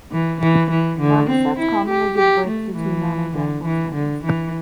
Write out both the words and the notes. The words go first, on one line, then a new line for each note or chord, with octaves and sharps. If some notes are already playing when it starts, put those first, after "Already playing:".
Marmosets commonly give birth to two non-identical twins.
E3
E3
E3
D3
C4
E4
G4
G4
A3
E3
D3
E3
D3
E3